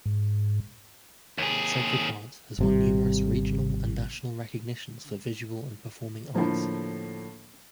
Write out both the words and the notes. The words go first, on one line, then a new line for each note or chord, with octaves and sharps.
Sacred Heart has won numerous regional and national recognitions for visual and performing arts.
G#2
D#2 G#4
G#1 C3 G3
A2 D3 F3 A#3